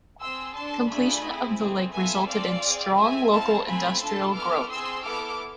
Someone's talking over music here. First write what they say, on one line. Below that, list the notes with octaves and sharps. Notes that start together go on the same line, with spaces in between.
Completion of the lake resulted in strong local industrial growth.
C4 G#4 C6 E6
D4 A4 A5 C6
A3 D4 F4 G#4 G#5 B5
C4 E4 G#4
A3 C4 G#4
B3 F4 A4 E5 G#5
C4 F4 A4 D5 F5
C4 G#4
C4 G#4 E5 G#5
C4 E4 A4 F5 A5
A3 C4 F4 G#5 B5
D4 F4 A4 A5 C6
B3 E4 A4 D6 F6
C4 G#4 C6 E6
B3 E4 A4 D6 F6